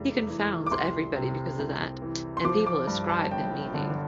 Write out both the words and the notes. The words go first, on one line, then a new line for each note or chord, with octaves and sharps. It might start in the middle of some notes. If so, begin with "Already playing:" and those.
He confounds everybody because of that, and people ascribe him meaning.
Already playing: F1 E2 G3
E3
D6
C2 C6
C3
C2
E3
C6
F3 D6
D6
G2
A5
G1 G5
D3